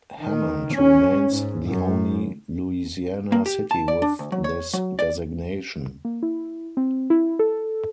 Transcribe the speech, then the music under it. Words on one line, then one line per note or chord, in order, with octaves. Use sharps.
Hammond remains the only Louisiana city with this designation.
D#3
C#4
G#2
F#2
A#3
G4
A5
D5
D4
D2
F#3
C#5
F#3
D5
A#3
E4
C4
E4
A4